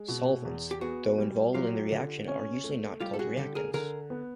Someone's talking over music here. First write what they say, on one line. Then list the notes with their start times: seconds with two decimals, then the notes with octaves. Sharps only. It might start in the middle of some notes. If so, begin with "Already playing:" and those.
"Solvents", though involved in the reaction, are usually not called reactants.
Already playing: G#3
0.08 B2
0.45 E2
0.71 G4
0.81 B3 F#4 G#4
1.18 G3
1.54 F#3 F4 G4
1.91 D3
2.28 C#4
2.64 A3
3.00 G3 F4 G4
3.14 A4
3.19 F#4 G#4
3.37 D3 G4 A4
3.55 G#4 A#4
3.74 D3 G#4 A#4
4.10 B3